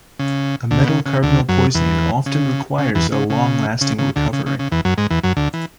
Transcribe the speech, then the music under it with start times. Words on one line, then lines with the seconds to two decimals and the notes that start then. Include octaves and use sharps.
A metal carbonyl poisoning often requires a long-lasting recovery.
0.19 C#3
0.71 D2 D3
0.83 B2
0.88 C#3
1.06 C#3
1.23 D2 D3
1.49 F#2 F#3
1.74 E2 E3
2.26 C#3
2.78 C#3
2.95 E2 E3
3.12 C#3
3.30 C#3
3.81 C#3
3.98 C#3
4.16 D2 D3
4.33 C#3
4.46 C#3
4.59 C#3
4.72 E2 E3
4.85 F#2 F#3
4.98 G#2 G#3
5.10 E2 E3
5.23 F#2 F#3
5.37 D2 D3
5.54 E3